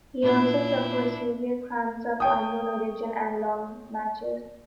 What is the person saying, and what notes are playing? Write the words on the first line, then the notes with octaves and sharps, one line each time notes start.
He also suffered severe cramps of unknown origin in long matches.
A#2 D4 E4
C#5 G5 D#6